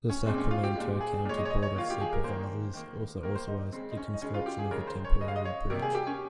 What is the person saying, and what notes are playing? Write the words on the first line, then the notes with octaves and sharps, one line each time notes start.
The Sacramento County Board of Supervisors also authorized the construction of a temporary bridge.
C#4
A#2 G#3 C4
C#4
F4
G4
A#2 G#3
G#4
A#2 G#3 C#5
D#5
C#5
D#5
C#5
D#3 A#3 F4
G4
G#4
A#4
D#3 A#3 C5
D#3 A#3
D#3 A#3 A#4
C5
D#4
C#3 G#3 C4
D#4
C#4
D#4
C#3 G#3 C#4
F4
G4
G#4
C#3 G#3 A#4
C5
C#5
C#3 G#3 D#5
F5
D#5
C#5
C3 G3 A#3 A#4
G#4
G4
C#4